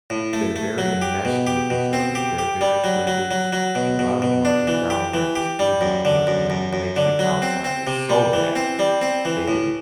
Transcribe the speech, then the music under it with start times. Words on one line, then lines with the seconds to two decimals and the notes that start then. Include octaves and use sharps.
they're very enmeshed with each other. They're very cliquish, and a lot of them are just downright, just, evil and judgmental, and they treat outsiders so badly, they do,
0.10 A2
0.33 A3
0.56 A3
0.78 F#3
1.02 G4
1.25 B2
1.47 G4
1.70 B2
1.93 C4
2.15 G4
2.39 G4
2.61 G3
2.84 F#3
3.07 F#3
3.31 F#3
3.53 F#3
3.75 B2
3.99 B2
4.22 B2
4.45 D4
4.67 E3
4.90 G4
5.14 E3
5.36 G4
5.59 G3
5.81 F#2
6.05 D3
6.27 F#2
6.50 F#2
6.73 F#2
6.96 D3
7.19 F#3
7.42 C4
7.64 C4
7.87 C3
8.10 G3
8.33 E3
8.56 C4
8.79 G3
9.02 C4
9.25 E3
9.48 A2